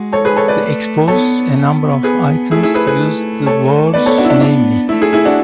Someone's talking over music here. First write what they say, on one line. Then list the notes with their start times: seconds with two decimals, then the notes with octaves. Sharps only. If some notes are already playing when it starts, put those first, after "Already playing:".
The exposed a number of items used the wars, namely.
Already playing: G#3 F#4
0.13 A4 C#5
0.25 G#4 B4
0.36 A4 C#5
0.48 B4 D5
0.61 A3
1.08 B3 A4 C#5
1.55 B3
2.03 G#4 B4
2.51 A3 E4 G#4
2.63 E4 G#4
2.74 G#4 B4
2.87 G#4 B4
2.99 A3
3.46 A4 C#5
3.93 B3 B4 D5
4.06 A4 C#5
4.18 D4 F#4
4.25 E4
4.30 D4
4.41 D4
4.89 A3 E4
5.01 E4 G#4
5.13 E4 G#4
5.25 D4 F#4